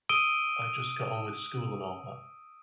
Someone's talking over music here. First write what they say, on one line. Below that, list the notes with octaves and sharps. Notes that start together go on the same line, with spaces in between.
I just got on with school and all that.
D#6 E6 D7 D#7 G7